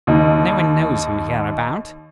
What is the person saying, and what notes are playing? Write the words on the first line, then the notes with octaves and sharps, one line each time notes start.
No one knows him hereabout.
D#2 D#4